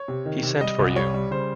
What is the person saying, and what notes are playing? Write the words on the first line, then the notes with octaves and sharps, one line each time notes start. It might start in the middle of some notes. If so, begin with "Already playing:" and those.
He sent for you.
Already playing: C#5
C3
D#3
C3
G3 D#5
C2
G3 C#5
G3
C#3 C5